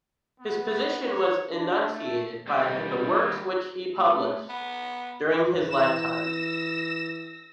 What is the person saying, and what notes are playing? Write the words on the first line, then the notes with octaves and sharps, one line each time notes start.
His position was enunciated by the works which he published during his lifetime.
B3
C#5
D4
A3
D#2 G3
A3
B3
E3 E6 A#6 E7